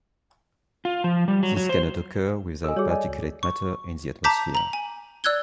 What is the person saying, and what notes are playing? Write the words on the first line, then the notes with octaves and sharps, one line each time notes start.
This cannot occur without particulate matter in the atmosphere.
F4
F3
G3
F#3
F#3
C5
A4 D#5 G#5 E6
G3 F#4 G#4 C#5
D5 D#5 G#5
C#2
C#6
A5 A#5 D6 G6 B6
A#5 F#7
G#5
D5 E6 F#6 G#6 G7